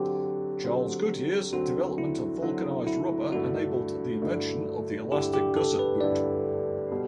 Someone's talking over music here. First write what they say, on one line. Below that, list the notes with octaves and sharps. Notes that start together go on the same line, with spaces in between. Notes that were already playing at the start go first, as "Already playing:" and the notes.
Charles Goodyear's development of vulcanised rubber enabled the invention of the elastic gusset boot.
Already playing: D3 F#3 C4 G4
D3 F#3 C4
D3 F#3 C4 F#4
E4
D3 F#3 C4
E4
G2 D3 A3 E4 F#4
G2 D3 A3 E4
G2 D3 A3 E4 G4
G4
A4
B4
G2 D3 A3 E4 D5
B2 G3